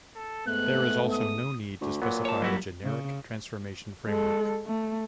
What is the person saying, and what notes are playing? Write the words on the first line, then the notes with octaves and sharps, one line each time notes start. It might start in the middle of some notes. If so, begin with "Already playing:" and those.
There is also no need to specify a generic transformation framework.
A4
G#2 A3 B3 F#6
D#6
D2
A#2 F#3 B3
C#5 A5
F#3 G3 E4 F#4 E5
C#3
G#3 A4
A3